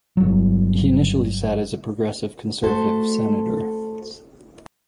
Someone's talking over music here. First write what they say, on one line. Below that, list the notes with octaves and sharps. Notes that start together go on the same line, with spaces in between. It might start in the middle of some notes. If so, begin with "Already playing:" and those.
He initially sat as a Progressive Conservative Senator.
G1 F#3
A3 F#4 A4 C5